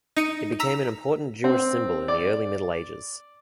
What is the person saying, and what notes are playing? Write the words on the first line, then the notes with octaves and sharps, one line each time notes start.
It became an important Jewish symbol in the early Middle Ages.
D#4 C#7 D#7
A#5 E6 B6
C4
D5